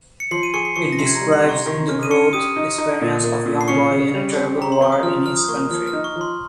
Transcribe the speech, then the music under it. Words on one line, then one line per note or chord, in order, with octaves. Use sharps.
It describes the growth experience of young boy in a terrible war in his country.
C#7
F3 C6 C7
D#7
G#4 C#6 C#7
C7
F3 C#6 C#7
A#6
C3 C6 C7
G#6
A#5 A#6
G3
C6
C3
C#6
D#3 C#6
C#4 F6
D#7
C#4 C#6 C#7
G4 D#6 D#7
D#4
D#4
A#2
A#3
A#2
C7
C#4 C#6 C#7
C#3
G3
C4
G4 A#5
C6
C4 C#6
D#6
F3 F6
F3 F6
D#6
A#3 C#6
F3 F6
F6
D#4
C#6
F3
C6